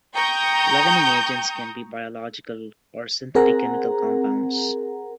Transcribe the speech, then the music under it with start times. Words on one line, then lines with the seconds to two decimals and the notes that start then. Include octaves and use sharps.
Leavening agents can be biological or synthetic chemical compounds.
0.14 G5 A#5 C#6 D#6 G6
3.35 C4 G#4 A#4 F#5 A#5